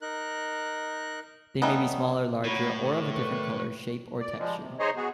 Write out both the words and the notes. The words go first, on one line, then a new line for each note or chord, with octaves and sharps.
They may be smaller, larger, or of a different color, shape, or texture.
D#4 A#4 F#6
G3 A3 B3 C#4 D#4
A2 F#3 E4
D3 D#3
B4 C#6
D5
F3 G3 G#3
C3
D#4 G#4 C5 C#5 D#5
B3 F#4 G#4